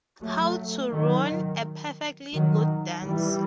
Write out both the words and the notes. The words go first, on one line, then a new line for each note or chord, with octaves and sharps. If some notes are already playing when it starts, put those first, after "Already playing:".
How to ruin a perfectly good dance.
F#3 A3
D#3 F#3
D#3 F#3
E3 G3